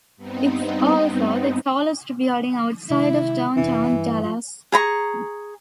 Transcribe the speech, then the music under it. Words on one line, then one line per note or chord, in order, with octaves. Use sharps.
It's also the tallest building outside of Downtown Dallas.
G2 B3 C4 D#4
C3 D#3 G#3 E4
F1 C3 E3 D4
G2
F3
G#4 A#5 B5 C#6